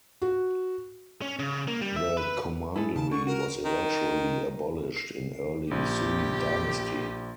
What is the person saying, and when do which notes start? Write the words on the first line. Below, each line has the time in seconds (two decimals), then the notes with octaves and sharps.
The commandery was eventually abolished in early Sui dynasty.
0.22 F#4
1.22 C#4
1.39 C#3
1.68 A#3
1.81 G3
1.96 E5
2.17 B4
2.76 E4 G#4 A4
2.96 C#3 A5
3.11 D3 C#6
3.27 F#4 A#4
3.65 D#3
4.97 C7
5.71 A#1 G4